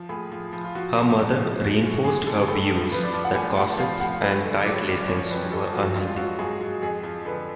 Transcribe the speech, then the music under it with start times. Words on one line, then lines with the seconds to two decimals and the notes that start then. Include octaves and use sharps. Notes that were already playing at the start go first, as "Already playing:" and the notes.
Her mother reinforced her views that corsets and tight lacings were unhealthy.
Already playing: F3
0.09 A2 G#4
0.32 F3
0.53 F3
0.64 F4
0.75 F3 F#4
0.96 F3
1.18 G#2
1.39 F3
1.61 F#2 F#4
1.84 F#2
2.05 F#2 G#4
2.26 D3 A4
2.48 A2 A4
2.70 F3
2.92 F3 B4
3.03 D5
3.14 F3 D5
3.25 F#5
3.35 A2 G#5
3.56 A2 F#5
3.78 F3 F5
4.00 A2 F#5
4.21 F#2 B4
4.44 D3
4.65 F#3 D5
4.76 C#5
4.87 F#2
4.98 D5
5.08 F3 C#5
5.19 C#5
5.30 F2 B4
5.52 F2 A4
5.73 F3 F#4
5.96 G#2 F4
6.07 F4
6.17 F#3 F#4
6.28 F#4
6.39 G#2 G#4
6.61 F#3 F#4
6.82 F2 G#4
7.03 F3
7.25 D3 B4